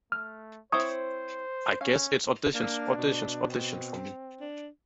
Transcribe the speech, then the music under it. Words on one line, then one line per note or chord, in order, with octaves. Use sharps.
I guess it's auditions, auditions, auditions for me.
A3 F6
C4 E4 C5 C#5 C#6 D#6
C#4 F5
A#3 D4
B2
C4
D4